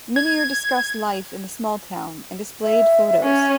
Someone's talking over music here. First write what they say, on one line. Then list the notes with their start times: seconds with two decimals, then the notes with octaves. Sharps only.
Minnier discussed life in the small town and displayed photos.
0.16 G#6
2.63 E5
3.23 C#4